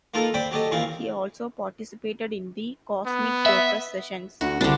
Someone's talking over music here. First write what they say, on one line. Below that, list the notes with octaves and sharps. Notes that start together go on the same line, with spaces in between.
He also participated in the Cosmic Jokers sessions.
A#3 D#4 F4 A4 A#4
C4 C5 D5 G5 B5
F#3 G4 A4 D#5
D#2 A#2 E3 C4 F5
B3
E5
D2 F#4
C2 D3 D4